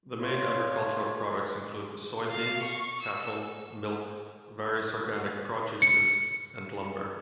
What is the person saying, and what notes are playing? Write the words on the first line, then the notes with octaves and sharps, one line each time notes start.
The main agricultural products include soybeans, cattle, milk, various organic produces, and lumber.
F4 C#5
F5
C#6
E6
C#7